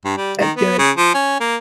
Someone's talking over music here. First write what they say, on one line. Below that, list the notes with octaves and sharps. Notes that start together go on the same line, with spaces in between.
That good.
G2
G3
D#3
B3
C#3
F3
C#4
A#3